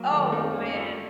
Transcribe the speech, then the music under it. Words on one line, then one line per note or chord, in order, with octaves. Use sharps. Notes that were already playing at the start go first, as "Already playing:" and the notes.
Oh, man.
Already playing: F#3 A#3
D#3 A3
A3
A#3 D#4
C4
A#3 C#4
D#4
A3 F4